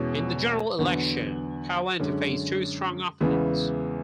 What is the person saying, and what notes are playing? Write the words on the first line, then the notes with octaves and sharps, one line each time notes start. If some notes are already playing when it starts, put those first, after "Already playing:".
In the general election, Pawlenty faced two strong opponents.
Already playing: E2 B2 G#3 C#4 E4
E2 D3 F#3 B3
F#2 D3 G#3 C#4
E2 C#3 E3 G#3 B3